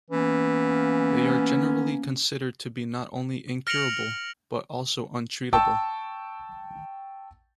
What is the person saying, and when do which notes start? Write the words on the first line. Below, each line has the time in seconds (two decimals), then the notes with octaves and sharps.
They are generally considered to be not only incurable but also untreatable.
0.11 E3 A#3 B3 C#4
3.67 F6 A#6 C#7 D7 F7 F#7
5.53 G5 A5 C#6 E6